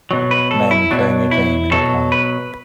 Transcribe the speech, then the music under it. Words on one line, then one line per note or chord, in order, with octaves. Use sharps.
Men playing a game in the park.
B2 F#3
B4
A4
E4
B2 F#3 D4
E4
B2 F#3 A4
B4